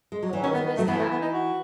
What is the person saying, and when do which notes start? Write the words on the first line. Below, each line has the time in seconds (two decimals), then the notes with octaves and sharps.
"How often is that?"
0.12 G#3
0.23 F#3
0.33 E3
0.43 D#3 C#4
0.54 B3
0.66 B3
0.77 F#3 A3
0.88 E3 B3
0.99 A3
1.11 B3
1.22 D#4
1.33 F#4